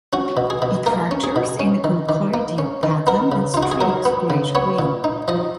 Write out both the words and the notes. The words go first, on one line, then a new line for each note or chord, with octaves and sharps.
It fractures in a conchoidal pattern and streaks grayish-green.
C#4 F#4
B2
G#4
B2
A#3 A#4
C#4
G#4
B2
C#4
D#3
D#3
A#3
C#4
D#3
B3 A#4
C#3
D#4 F4
F#4
G#4
F#3 A#4
B3
C#3
B3 C#5
A#2
D#4
F3 D#5